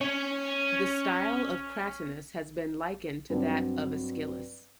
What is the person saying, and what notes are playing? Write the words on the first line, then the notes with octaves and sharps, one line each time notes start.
The style of Cratinus has been likened to that of Aeschylus.
C#4 C#5
G2 F#3 C4 D4